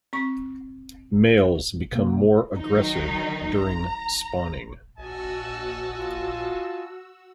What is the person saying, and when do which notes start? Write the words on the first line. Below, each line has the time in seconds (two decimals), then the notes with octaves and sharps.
Males become more aggressive during spawning.
0.13 C4 C#6
1.92 C3 A#3
2.59 D#3 F#3 D#4
3.60 A#5
4.98 A#1 F#4 D#5 G#5 A5 E6
5.95 F4